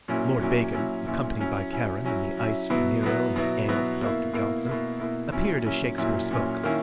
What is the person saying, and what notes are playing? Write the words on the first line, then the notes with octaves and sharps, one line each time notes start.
Lord Bacon, accompanied by Charon and the ice for Nero and the ale for Doctor Johnson, appeared as Shakespeare spoke.
A#2 F#3 C#4 E4
A#2 F#3 C#4 E4
A#2 F#3 C#4 E4
A#2 F#3 C#4 E4
F#3 C#4 E4
F#3 C#4 E4
F#3 C#4 E4
F#3 C#4 E4
B2 F#3 B3 E4
B2 F#3 B3 E4
B2 F#3 B3 E4
B2 F#3 B3 E4
B2 A#3 E4
B2 A#3 E4
B2 A#3 E4
B2 A#3 E4
A#2 F#3 C#4 E4
A#2 F#3 C#4 E4
A#2 F#3 C#4 E4
A#2 F#3 C#4 E4
D#3 A#3 C#4 E4